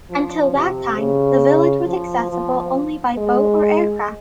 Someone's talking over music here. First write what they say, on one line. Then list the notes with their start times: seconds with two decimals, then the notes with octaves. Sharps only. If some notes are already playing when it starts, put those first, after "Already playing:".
Until that time the village was accessible only by boat or aircraft.
0.10 F3
0.54 C3
0.98 C#3
1.86 F3
2.30 F3
3.18 G#3